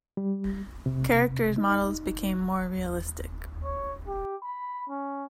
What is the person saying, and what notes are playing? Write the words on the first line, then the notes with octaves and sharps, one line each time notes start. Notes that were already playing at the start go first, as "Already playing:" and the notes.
Characters models became more realistic.
G3
C3
D#4
C#5
G4
B5
C#4